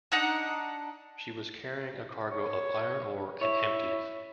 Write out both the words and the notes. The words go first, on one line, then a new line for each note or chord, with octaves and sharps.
She was carrying a cargo of iron ore and empties.
D4 D#4 F#5
C#5
E4 C#5